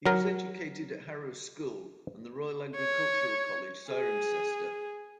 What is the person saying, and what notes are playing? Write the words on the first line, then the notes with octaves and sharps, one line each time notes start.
He was educated at Harrow School and the Royal Agricultural College, Cirencester.
F#3 A#4
C#5
G#4